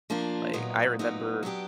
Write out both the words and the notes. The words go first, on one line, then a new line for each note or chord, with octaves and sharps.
like, I remember
F3 A#3 D4 F4
A#2 F#3 B3 D#4
A#2 F#3 B3 D#4
F#3 B3 D4 G4